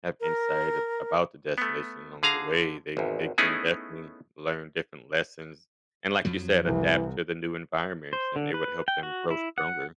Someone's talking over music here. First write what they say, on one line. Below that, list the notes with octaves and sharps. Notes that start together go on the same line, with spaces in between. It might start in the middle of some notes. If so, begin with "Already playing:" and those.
have insight a about the destination along the way. They they can definitely learn different lessons. And like you said, adapt to the new environments, and it would help them grow stronger.
A#4
A3 B3
D3 G#4 F5 A#5
G#1 E2
A3 B3 C#4 D#4 E4 G#4
F2 F3 F#3
C2 E3
C5
D3
B4
G5
F#4
E4
F#5